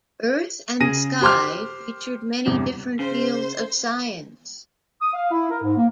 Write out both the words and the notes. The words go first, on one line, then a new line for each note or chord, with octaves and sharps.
"Earth and Sky" featured many different fields of science.
C#3 G#4 A#6 D#7
G4 C5 C6 D6 F6
G1 E2 C3
C#3 C5
D#6
F5
E4
A#4
G#2
A#3